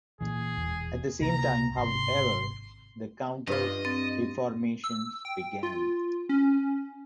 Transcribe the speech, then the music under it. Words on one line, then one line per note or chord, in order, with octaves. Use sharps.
At the same time, however, the Counter-Reformation began.
A#2 E3 G#4
E1 E2
C#2 C3 A#3 A#5
G#1 C3 C6
G2 F4 D#5
C4 A6
E6
G5
F4
C#4